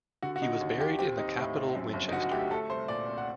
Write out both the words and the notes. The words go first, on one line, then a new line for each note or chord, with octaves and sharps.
He was buried in the capital Winchester.
D3 F#4
F#4
D3 D#4
D#2
D#2 G4
C4 G4
C4 D#4
A2
C4
F#2
G1
D#4
D3 F#4
F#4
A3 G4
A3 A4
C2 C5
A#2 D5
C4
F#5